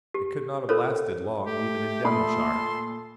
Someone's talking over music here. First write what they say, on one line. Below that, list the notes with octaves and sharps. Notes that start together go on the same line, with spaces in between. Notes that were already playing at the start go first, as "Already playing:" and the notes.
It could not have lasted long even in Devonshire.
G4
F4 A4 A#4 C5 C#5
A3 G4
A#2 A4 B5 C6 D#6